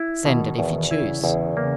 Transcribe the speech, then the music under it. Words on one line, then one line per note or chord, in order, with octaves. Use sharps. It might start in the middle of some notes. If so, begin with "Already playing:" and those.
Send it, if you choose!
Already playing: E4
B2 D#3
E2
C#3 E4
E2
A#3